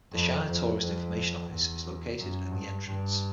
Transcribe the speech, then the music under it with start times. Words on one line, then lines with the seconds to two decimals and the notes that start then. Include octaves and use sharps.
The shire Tourist Information Office is located at The Entrance.
0.12 F2
0.46 F2
0.80 F2
1.49 E2
2.18 F#2
2.52 G2
2.87 G2